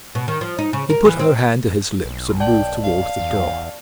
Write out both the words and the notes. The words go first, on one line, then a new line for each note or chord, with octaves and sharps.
He put her hand to his lips, and moved towards the door.
B2
D#3
F3
D#4
C#3
A#4
E3
C4
B1
D5 G5 A5 F#7
F5
E2